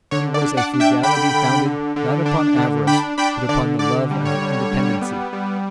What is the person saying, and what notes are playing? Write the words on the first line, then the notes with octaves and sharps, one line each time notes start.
It was a frugality founded not upon avarice, but upon the love of independency.
D3 C#5
D5
D4
D5 F#5
D4
E5 G5
D3 G5 B5
D3
D3
D3
D4
D3
D4 G5 B5
D4 G5 B5
D3 D5
D3 D5
G3
C#5
D3
G3
B3
G3